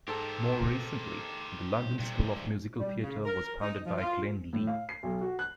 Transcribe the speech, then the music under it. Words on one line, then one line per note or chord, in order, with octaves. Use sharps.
More recently, the London School of Musical Theatre was founded by Glenn Lee.
G#2 G4 A4 A#4 A5
G2 C3
G3
C#3
A#4
D#4
F3
F4
A2
F5
C7
B1
F#4
F#6